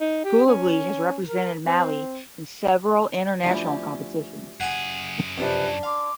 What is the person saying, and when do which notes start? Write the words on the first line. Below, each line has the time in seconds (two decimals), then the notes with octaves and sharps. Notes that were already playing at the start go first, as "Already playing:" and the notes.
Coulibaly has represented Mali in several international competitions.
0.01 D#4
0.25 G4
0.47 C#4
1.27 A#4
1.66 C4
3.43 D2 F3 G3 C#4 E4
4.60 F#2 G#4 F#5 G#5 B5
5.38 F2 C3 C#4 D4 G4 B4 C5
5.83 F5 C6 D6